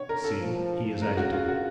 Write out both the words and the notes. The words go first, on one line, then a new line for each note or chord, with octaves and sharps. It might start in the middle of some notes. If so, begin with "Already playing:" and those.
'See, he is agitated!'
Already playing: C#5
A#4
A4
F3
C#3 A#4
F#4
F4
F#4